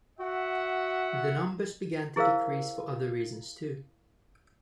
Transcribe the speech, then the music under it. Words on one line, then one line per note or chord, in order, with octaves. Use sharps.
The numbers began to decrease for other reasons too.
F#4 E5 F#5
E4 G#4 A#4 C5 F5 E6